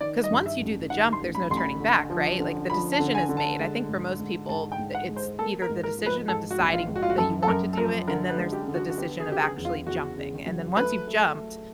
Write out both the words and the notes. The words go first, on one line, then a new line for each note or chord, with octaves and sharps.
'cause once you do the jump, there's no turning back, right? Like, the decision is made. I think for most people, th it's either the decision of deciding that you want to do it, and then there's the decision of actually jumping, and then, once you've jumped,
D#3 D5
D#5
G2
E5
A1
D#3 F#5
C6
A1
B5
A1 C6
B5
D3
F3
D3
F3 B5
A5
D3
G#5
D3
A5
G#3
G#2
G#2
G#2 A5
G5
G#2
F#5
G#3
C5
A#3 A4
A#4
G#2
A#4
F3
B4
G#2 A4
F#4
A#1
F4
G#2
F#4
F4
F#4
F#2 A4
A4
F#2 A#4
A4
F3 A#4
D3 A#4
B4
G#3
G4
D3
F#4
F#4
B3 G4
G#4
C#3 G4
G#4
E2
F4
E2 F#4
C#3
F#3
A3 B4
A3
A3